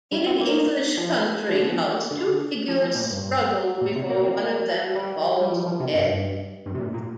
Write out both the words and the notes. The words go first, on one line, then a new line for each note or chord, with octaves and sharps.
In an English country house two figures struggle before one of them falls dead.
G3
C4
A#3
F3
F3
D3
F3
D3
F3
F3
A#2
G2
A#2
C3
A#3
C4
A#3
G3
G3
F3
F3
C3
G2
G2
G2
C3
A#2
A#2